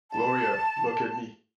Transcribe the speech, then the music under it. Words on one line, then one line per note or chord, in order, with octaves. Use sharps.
Gloria, look at me!
A5